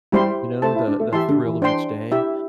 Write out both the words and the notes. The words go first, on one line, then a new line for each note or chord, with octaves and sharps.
you know, the the thrill of each day
G3 E4 G4 C5 G5 C6
A3 A4 C5 A5
E4
D4
A3
E3 G4 E5 A5 C6
D3
E3
D4 C5 G5 C6
E4 G4 E5